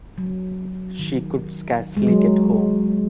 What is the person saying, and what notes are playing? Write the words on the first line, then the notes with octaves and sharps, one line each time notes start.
She could scarcely get home.
F#3
D#3
G#3
F#3